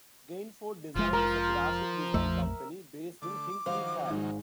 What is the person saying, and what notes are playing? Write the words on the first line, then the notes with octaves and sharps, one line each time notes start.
Gainford Design is a graphic design company based in Hindley Hall.
F1 F3 G#3 F4
F3 A#4
A#1 F2 A3 E5
D3 A3 D6
D#3 F3 F#3 C5 F5
G#1 G#2 G#3